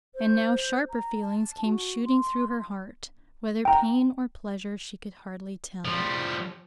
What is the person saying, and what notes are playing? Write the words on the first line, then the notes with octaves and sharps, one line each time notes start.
And now sharper feelings came shooting through her heart, whether pain or pleasure she could hardly tell.
C5
A#5
A5
F#4
C6
G5 A#5
F3 G3